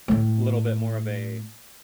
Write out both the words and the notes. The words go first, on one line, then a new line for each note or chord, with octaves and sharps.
little bit more of a,
A2 A3